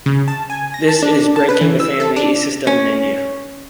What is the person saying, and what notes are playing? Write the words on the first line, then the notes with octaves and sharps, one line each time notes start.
This is breaking the family system in India.
C#3
A5
G#5
A#6
A5
D4
A5
B4
E3
E6
A4
D4
C#4